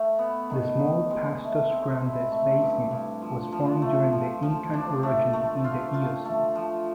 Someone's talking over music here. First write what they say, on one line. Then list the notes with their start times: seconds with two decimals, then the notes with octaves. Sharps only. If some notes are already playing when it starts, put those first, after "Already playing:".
The small Pastos Grandes Basin was formed during the Incan orogeny in the Eocene.
Already playing: A3
0.19 B3
0.50 D#3
0.79 D#3
1.11 G#3
1.41 A3
1.70 C4
2.01 E4
2.32 A3
2.62 G2
2.91 G2
3.22 F3
3.52 F3
3.82 A3
4.13 F3
4.43 F3
4.73 D4
5.03 A3
5.33 A3
5.64 F4
5.94 F4
6.25 A3
6.55 F3